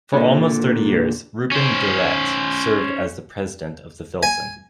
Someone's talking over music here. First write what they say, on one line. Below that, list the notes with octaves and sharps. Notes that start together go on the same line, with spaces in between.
For almost thirty years, Reuben Durrett served as the president of the Filson.
A#2 D3
C#4 C5
G#5